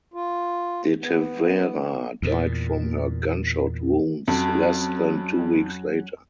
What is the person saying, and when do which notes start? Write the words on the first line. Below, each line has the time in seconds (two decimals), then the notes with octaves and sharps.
De Tavera died from her gunshot wounds less than two weeks later.
0.14 F4
1.00 B3
2.22 E2 A#2
4.28 F2 F#3 C#4